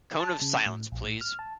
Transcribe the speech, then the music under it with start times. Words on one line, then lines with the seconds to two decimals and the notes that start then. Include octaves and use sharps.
Cone of silence, please.
0.20 A5
0.41 C#3
0.66 A2
0.92 A#1
1.04 A2
1.21 F6
1.39 A5